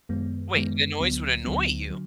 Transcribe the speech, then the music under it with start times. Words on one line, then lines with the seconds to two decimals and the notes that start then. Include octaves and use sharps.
Wait, the noise would annoy you?
0.09 F#2 D#3 G#3 B3
0.54 F#2 D#3 G#3 B3
1.00 D2 D3 F#3 B3
1.45 D2 D3 F#3 B3
1.91 D3 F#3